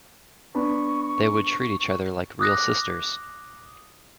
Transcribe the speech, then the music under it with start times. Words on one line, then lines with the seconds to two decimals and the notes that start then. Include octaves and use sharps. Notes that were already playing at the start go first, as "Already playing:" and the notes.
They would treat each other like real sisters.
0.55 B3 D4 B5 C#6
2.39 D6 D#6 F#6 A#6